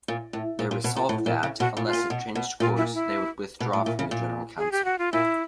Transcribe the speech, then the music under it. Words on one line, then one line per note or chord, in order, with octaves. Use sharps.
They resolved that, unless it changed course, they would withdraw from the General Council.
A#2
A2
A#2
A#2
B2
A#2
A2
A#2
C#3
B2 F#4
A#2
F4
A#2
B2
B2
A#2 F4
E4
E4
B2
A2
A#2
C#3
A#2
G#4
G4
F#4
F4
A#2 E4